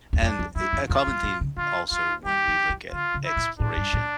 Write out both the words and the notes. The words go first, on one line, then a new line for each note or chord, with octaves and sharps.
and, eh, a common theme also when we look at exploration
E2
F2 D4
F2
G2 E4
F2
F2 F4
G2
A#2
C#3
D3 F4
E3 F4
G3 G4
F3
E3
D3 F4
C#3
E4
A#2
A2 D4
G2
A2